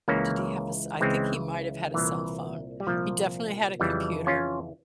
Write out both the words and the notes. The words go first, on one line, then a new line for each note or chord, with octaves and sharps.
did he have a s I think might have had a cell phone. He definitely had a computer,
C#2 C#3 E3 A#3 C#4
C#2 C#3 E3 G#3 C4
C2 A#2 E3
G3
C2 A#2 F3
F2 C#3 E3 G3
C#4 F4